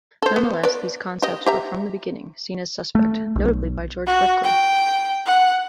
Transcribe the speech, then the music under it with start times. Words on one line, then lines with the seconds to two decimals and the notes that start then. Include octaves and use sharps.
Nonetheless these concepts were from the beginning seen as suspect, notably by George Berkeley.
0.22 A4 C5
0.36 B3
0.63 B4 D5
1.22 G4 D#5
1.46 G4 E5 A#5
2.95 A3
3.36 B1
4.07 F#4
4.44 G5
5.26 F#5